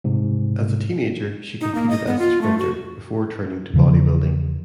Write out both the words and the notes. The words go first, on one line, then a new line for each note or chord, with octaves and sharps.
As a teenager she competed as a sprinter before turning to bodybuilding.
G#2 C3
D#4
A#3
D#5
B3
F4
A3
F#4
E2 C#3 F3